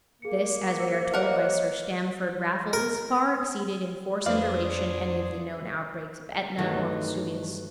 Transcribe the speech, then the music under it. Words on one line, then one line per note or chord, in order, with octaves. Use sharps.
This, as we are told by Sir Stamford Raffles, far exceeded in force and duration any of the known outbreaks of Etna or Vesuvius.
A#3 G#4 C#7
C5 E6 C#7
A#4 C#5 D#5 F#5
A#4
F2 D4 G#4 B4 C5 D5 F5
G2 D#3 E3 F#3 A3 D#4